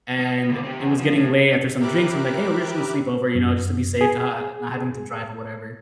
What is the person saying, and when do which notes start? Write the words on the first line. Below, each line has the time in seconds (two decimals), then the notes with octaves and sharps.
and it was getting late after some drinks. I'm like, "Hey. We're just gonna sleep over, you know, just to be safe, to ha ha not having to drive or whatever,"
0.19 B3
0.49 C#2 D3
0.63 C4 G4
0.79 E2
0.99 F3
1.15 A2
1.81 G4 A#4 E5 B5 D6 F#6
3.35 F#2
4.01 G#4